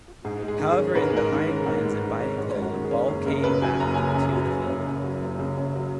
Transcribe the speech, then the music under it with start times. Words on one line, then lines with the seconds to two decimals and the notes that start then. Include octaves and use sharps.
However in the "high winds and biting cold" Ball came back to the field.
0.24 G#2 G#4
0.43 G#3
0.48 G#4
0.60 D#3
0.72 G#4
0.78 C#4
0.95 G#2 B4
1.02 A#4
1.10 G#4
1.13 G#3 A#4
1.32 D#3
1.49 C#4
1.66 G#2
1.84 G#3
2.02 D#3
2.20 C#4
2.38 G#2 C#5
2.55 G#3
2.62 F#4
2.73 D#3
2.84 G#4
2.91 C#4
3.08 F#1 G#4
3.26 C#3 A#4
3.44 F#2 B4
3.62 F#3 G#5
3.80 F#1 A#5
3.94 C#3 G#5
4.08 A#5
4.15 F#2
4.33 F#3
4.50 F#1
4.68 C#3
4.87 F#2
5.04 F#3
5.21 F#1
5.39 C#3
5.57 F#2
5.76 F#3